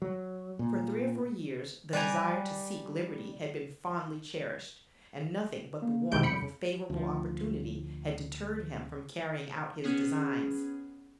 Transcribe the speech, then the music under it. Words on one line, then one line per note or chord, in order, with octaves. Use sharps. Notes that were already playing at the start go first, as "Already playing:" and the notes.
For three or four years the desire to seek liberty had been fondly cherished, and nothing but the want of a favorable opportunity had deterred him from carrying out his designs.
F#3
A#2
G3 B4 D5 G5 G#5 A#5
A#3
C2 B2 D#3 G#3 G6 D7
F2 B5 C#7
D2 F3
B3 C#4 G#4